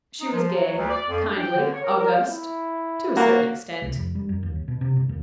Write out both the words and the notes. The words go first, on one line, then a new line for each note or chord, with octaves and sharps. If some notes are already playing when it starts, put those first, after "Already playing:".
She was gay, kindly, august--to a certain extent.
D#4
F3
F#3
D2
D5
F2
D4
G5
D3
C#5
A#4
A#4
E4
A#3 F#4
C2
F1
G3
F#2
D#2
G1
B2
C3
G1
D#2